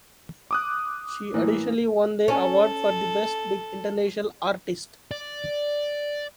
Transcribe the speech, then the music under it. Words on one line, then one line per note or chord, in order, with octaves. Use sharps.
She additionally won the award for the Best Big International Artist.
D6 D#6 F#6
A2 E3 A#3
C#4 A4
D5